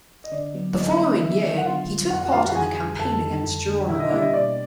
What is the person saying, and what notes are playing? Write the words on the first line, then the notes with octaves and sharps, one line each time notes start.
The following year, he took part in the campaign against Geronimo.
D#5
D3 D5
F#3 B3
D3 D#5
F#3 B3
D3 E4 E5
F#3 B3
F#5
D3 F4 F5
F#3 B3
F2 F#4 F#5
F#4 F#5
D3 G3 F4 F5
F#4 F#5
F2 G#4 G#5
D3 G3
F2 A4 A5
D3 G3
F2
D3 G3
B2 E4 E5
D#5
G3 A#3 D4 E4 G4 E5
D#5
B2 D5